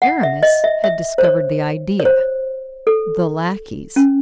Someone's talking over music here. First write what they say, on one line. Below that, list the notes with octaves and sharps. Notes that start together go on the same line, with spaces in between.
Aramis had discovered the idea, the lackeys.
F#5
E5
D#5
E5
E5
C5
C#5
C#5
C5
A4
C#4